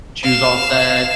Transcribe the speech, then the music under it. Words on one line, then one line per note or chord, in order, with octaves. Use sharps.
she was all sad,
F5 E7